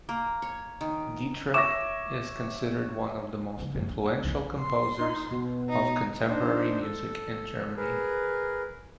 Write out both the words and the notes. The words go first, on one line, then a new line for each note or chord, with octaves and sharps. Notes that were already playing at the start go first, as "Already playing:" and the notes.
Dittrich is considered one of the most influential composers of contemporary music in Germany.
A#3
C#5
D#3
C#5 E5 D6 A#6 E7
C#3 E3
G#1 F#2
C#4
D4
C2 G#2
C6
D#4
B2
D#4
D4 D#4 C5
A4
G#4 A#4 B4